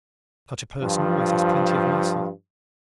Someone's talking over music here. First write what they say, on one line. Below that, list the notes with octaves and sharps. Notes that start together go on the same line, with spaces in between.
Such a person always has plenty of muscle.
G2 F3